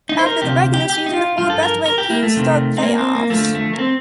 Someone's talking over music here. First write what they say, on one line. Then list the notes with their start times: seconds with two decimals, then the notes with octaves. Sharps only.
After the regular season, the four best-ranked teams starts play-offs.
0.09 D#4
0.19 C5
0.26 A#4
0.42 D2 C3 F3 G4
0.74 G4
0.90 G4
1.06 D#4
1.14 F4
1.38 G2 F3 F4
1.50 A4
1.63 A#4
1.86 A#4
1.98 G4
2.10 A#3
2.23 A3
2.35 F2 C3 D#3
2.77 C4
2.83 A#3
2.98 C4
3.15 A#3
3.30 F2 D3 F3 A3
3.55 A3
3.73 A#3
3.79 C4